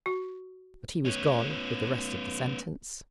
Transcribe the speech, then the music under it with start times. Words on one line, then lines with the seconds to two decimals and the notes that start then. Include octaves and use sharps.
But he was gone with the rest of the sentence.
0.06 F#4
1.05 B3 C#4